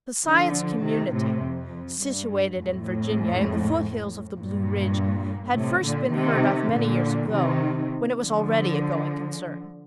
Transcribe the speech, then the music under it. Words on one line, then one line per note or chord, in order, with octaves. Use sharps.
The Science Community, situated in Virginia, in the foothills of the Blue Ridge, had first been heard of many years ago, when it was already a going concern.
D3 F3
C3 D#3
A2 C3
F2
G2
F2 A2
G2 A#2
A2 C3
A#2 D3
C3 D#3
A#2 D3
C3 D#3
D3 F3